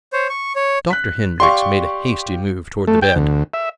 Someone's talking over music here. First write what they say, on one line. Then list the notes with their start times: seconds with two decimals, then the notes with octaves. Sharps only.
Dr. Hendrix made a hasty move toward the bed.
0.13 C5 C#5
0.30 C#6
0.56 C#5
0.90 F#6 B6
1.40 G4 D5 F5 C6 C#6
2.87 A3
3.02 G5
3.16 D2
3.54 E5